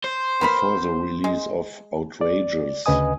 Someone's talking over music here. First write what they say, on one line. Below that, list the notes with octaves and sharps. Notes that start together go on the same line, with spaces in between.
Before the release of Outrageous!
C5
B3 A#4 B5
G#3
D5
D2 C#3 B4 D#5 G#5 D#6